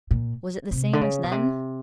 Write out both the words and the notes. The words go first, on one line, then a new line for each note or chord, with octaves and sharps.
Was it the same as then?
A#2
C3
D3
C#3
B2
C3